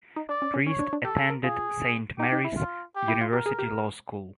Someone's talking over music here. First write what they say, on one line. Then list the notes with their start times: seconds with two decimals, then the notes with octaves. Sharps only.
Priest attended Saint Mary's University Law School.
0.16 D#4
0.29 D4 D5
0.42 C#4
0.54 C#4
0.67 C#4 C#5
0.79 D4
0.93 D4
1.05 G4 A4
1.17 G#4
1.30 A#4
1.44 F4 G#4
2.19 D#4 G4
2.32 D#4
2.44 E4
2.57 F4
2.96 G4
3.08 E4
3.21 F4
3.33 G4 A#4
3.46 G#4
3.59 G4